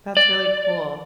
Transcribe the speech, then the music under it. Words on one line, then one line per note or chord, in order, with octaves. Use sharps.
That's really cool.
D5